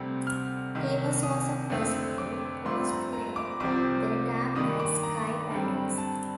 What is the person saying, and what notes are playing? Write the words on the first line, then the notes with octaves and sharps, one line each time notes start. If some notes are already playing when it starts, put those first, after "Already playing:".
He was also first to postulate the "dark night sky paradox".
Already playing: D2 C3 G3 C4
F6
C2 C3 D#3
D#6
F2 D3 A3 C4
D6
G2 F3 A3 C4 C6
A#5
A#5
D6
C2 C3 F3 C4 D6
G2 D#3 A#3 D#6
D6
A#5
G2 D3 G3 C4
A5